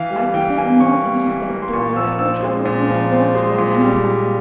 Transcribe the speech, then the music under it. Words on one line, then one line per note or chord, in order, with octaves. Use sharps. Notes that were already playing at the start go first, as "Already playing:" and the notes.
I could not leave that door at which I would not have knocked for an empire.
Already playing: E3 F5
G3
E3 G5
A#3 G#5
E3 C#6
G3
E3
A#3
C6
A#2 C#6
F3 E6
C4 E6
G#3
A#2
F3
C4
G#3
A#2
G3
A#2